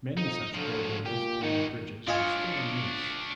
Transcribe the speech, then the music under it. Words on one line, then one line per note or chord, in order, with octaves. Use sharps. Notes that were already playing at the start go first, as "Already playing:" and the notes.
Many such buildings and bridges are still in use.
F2 D#4
D3 F3 F#3
A#2 G4
D#3 D#4 F#4
D4 F4 C#5 D#5 G#5